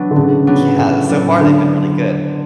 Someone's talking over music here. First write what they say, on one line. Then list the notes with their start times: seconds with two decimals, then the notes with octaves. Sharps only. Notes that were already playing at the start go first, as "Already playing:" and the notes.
yeah, so far they've been really good.
Already playing: F#3 B3 D4
0.11 D3
0.16 A2 C#3
0.47 F#3 B3 D4
0.78 A2
1.09 F#3 B3 D4
1.41 D3